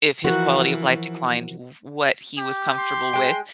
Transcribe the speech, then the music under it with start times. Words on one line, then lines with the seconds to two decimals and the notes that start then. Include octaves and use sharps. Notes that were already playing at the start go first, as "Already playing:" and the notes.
if his quality of life declined, w what he was comfortable with.
0.24 E3 F3 F#4 A#4
2.38 G4
2.80 C6
3.13 G#3 G5